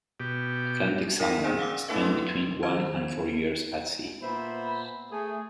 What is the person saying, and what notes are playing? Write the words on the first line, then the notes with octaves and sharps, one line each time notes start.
Atlantic salmon spend between one and four years at sea.
B2 G4
D#4 A#4 D5 A#6 B6 D#7
C#4 D#4 G#4 C5 D5
F5 F#5 D6 E6
A3 D4 E4 A4 B4 E5
C6
D#3 C5 G#6
A#2 B3 C5 E5 B5
A3 G#4